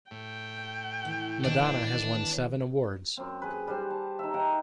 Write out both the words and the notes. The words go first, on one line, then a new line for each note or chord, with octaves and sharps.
Madonna has won seven awards.
A2 G5
E3
D#3 E3 B3 D4
F#2 C4
G#4 B4
G3 G4 C5 G#5
A5
D#4 E5
F#5 G5 A#5